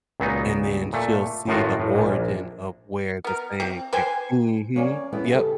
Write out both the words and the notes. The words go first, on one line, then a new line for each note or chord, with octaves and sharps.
and then she'll see the origin of where the saying came Mhm, yep,
C#2 A#2 F#3 B3 D#4
A#2 A3
F#2 A2 D#3 F4 F#4
A2
A#1 A#2
A#1
B3 A#4
C4
B4 C5 G5 G#5
A#3 C#4 C#5 D5 F5 G#5
F2 B3 C#4 E4
C#3 G4 A4